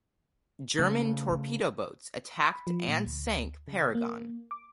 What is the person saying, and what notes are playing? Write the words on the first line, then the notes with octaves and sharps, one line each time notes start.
German torpedo boats attacked and sank "Paragon".
C#3 A3
B5
F3
A#2
D2
C#3
A#3
D6